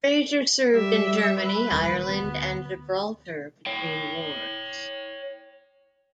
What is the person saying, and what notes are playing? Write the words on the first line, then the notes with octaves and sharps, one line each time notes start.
Fraser served in Germany, Ireland, and Gibraltar between wars.
G3 E5
B4
D#1 D#2
D2 B3
C#5 G5